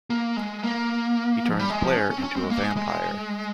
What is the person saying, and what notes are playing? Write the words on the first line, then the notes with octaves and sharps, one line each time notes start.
He turns Blair into a vampire.
A#3
G#3
A#3
F3
G3
G#3
F3
C#4
C#4
C4
C#4
C4
G#3
A#3
G#3
G#3